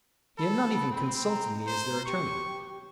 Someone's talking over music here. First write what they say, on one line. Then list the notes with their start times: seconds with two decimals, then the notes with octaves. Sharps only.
He had not even consulted me as their attorney.
0.38 A4 B5
0.92 C4
1.28 A#5
1.67 C5
2.06 G4 C#6